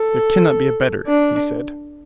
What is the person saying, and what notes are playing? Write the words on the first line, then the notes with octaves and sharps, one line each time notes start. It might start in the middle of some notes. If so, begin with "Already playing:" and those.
There cannot be a better, he said.
Already playing: A4
D4